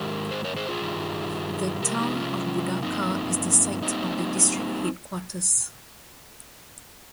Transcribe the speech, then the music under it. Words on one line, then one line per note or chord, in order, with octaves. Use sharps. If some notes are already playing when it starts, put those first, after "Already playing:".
The town of Budaka is the site of the district headquarters.
Already playing: G#2 D#3 G#3 G4 A#4
G#4 C5
A#4 C#5
G#4 C5
F4 G#4
G2 D#3 G3
C3 F3 G#3 G4 A#4
D#4 G4
C#4 F4
G2 F3 A#3 C4 D#4
G3 A#3 C4 D#4